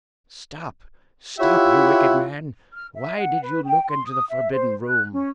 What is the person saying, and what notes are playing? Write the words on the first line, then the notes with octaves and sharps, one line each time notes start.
"Stop! stop, you wicked man, why did you look into the forbidden room?"
E4 F4 G4 C#5 E5 F#5
F6
E5
F#5
B4
G5
C6
D#6
E5
C5
F#6
C#4